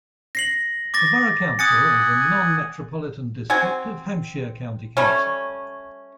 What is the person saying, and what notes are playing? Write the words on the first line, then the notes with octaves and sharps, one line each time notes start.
The borough council is a Non-metropolitan district of Hampshire County Council.
A#6 C7 F#7
D6 A6 A#6
F#5 G#5 D#6 A6 C#7
C4 F#4 G#5
G3 A3 C#4